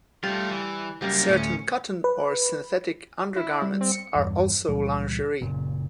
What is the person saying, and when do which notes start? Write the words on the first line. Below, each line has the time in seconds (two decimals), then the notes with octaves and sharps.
Certain cotton or synthetic undergarments are also lingerie.
0.24 G3 A3 F4
0.51 E3
1.02 F#2 G3 A#3
1.29 D2 A2 C#4
2.04 B4
3.36 E4
3.62 G3
3.81 C4
3.92 C#7
4.15 E2 G2
4.69 C#2 A#2 E3 G3
5.41 F#1 A#2 C#3